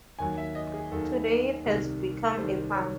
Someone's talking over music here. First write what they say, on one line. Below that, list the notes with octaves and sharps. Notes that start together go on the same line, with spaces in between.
Today it has become a farm.
D#2 D#3 F#3 G#5
E5
D#5
G#4
D#2 D#3 F#3 A4
C2 C3 D#3
C2 C3 D#3 C5
C#5